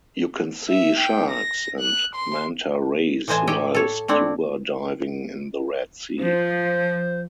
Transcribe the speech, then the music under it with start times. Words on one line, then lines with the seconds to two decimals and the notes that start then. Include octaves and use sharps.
You can see sharks and manta rays while scuba diving in the Red Sea.
0.69 E5
0.99 G5
1.30 A#6
1.80 F#6
2.15 C6
3.28 A2 E3 C5 D#5 G#5 A5
3.47 G4 C#5 D#5 E5 G5
3.75 A4 C#5
4.08 A3 C4 D4 E4
6.19 F3 C5